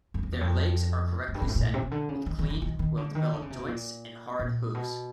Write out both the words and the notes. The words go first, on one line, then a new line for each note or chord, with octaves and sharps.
Their legs are correctly set, with clean, well-developed joints and hard hooves.
F#2
F2
E2
F2
F#2
G2
G#2
A2
A#2
A2
C3
C#3
D3
C#3
D#3
D#3
D#3
D#3
D#3
D3
D#3
D3
C#3
C3
B2
A#2
A#2
B2